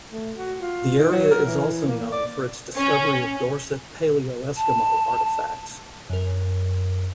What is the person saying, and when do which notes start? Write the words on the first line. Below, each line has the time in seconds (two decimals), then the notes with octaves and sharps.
The area is also known for its discovery of Dorset Paleoeskimo artifacts.
0.11 A3
0.37 F#4
0.60 F4
0.98 D#3
1.11 F#3
1.31 A#4
1.45 E3
1.87 A#3
2.12 D5
2.76 C#4
4.57 A5
6.10 F#2 A#4